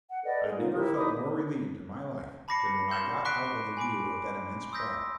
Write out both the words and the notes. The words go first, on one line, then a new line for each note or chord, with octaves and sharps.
I never felt more relieved in my life than when I got out of the view of that immense crowd.
F#5
A4 B4 D5 D#5
G#4
D#4 F4 A#4
E4 G4 A#4
D#4 B5 D6 D#6
A5 B5 D6 A#6 C7 C#7
C6 G6 E7
C#6 D6 F#6 B6 C7 D7
G#5 B5 D6 D7
C6 D#6 E6 G6 A#6 B6